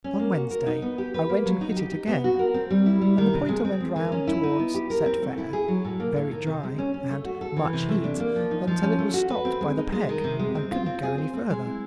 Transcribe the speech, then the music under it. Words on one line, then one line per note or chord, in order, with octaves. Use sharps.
On Wednesday I went and hit it again, and the pointer went round towards "set fair," "very dry," and "much heat," until it was stopped by the peg, and couldn't go any further.
C#4
A#3
F#4
A#4
D#4
B3
G4
B4
A#3
F#3
D#4
G4
D#4
B3
F#4
A#4
C4
G3
E4
G3
D#3
C3
G#3
C4
G#3
D#3
C#4
E4
D#4
B3
G4
A#4
C4
A3
E4
G#4
F#3
A2
A#3
A2
D#3
C3
G#3
C#4
C#4
A3
F#4
A4
E3
C3
A3
D4
A#3
F3
D#4
F3
C#4
A3
F#4
B4
C4
G#3
D#4
G#3
D#3
C3
G#3
C4
F4
C4
G#4
C5
C4
G#3
E4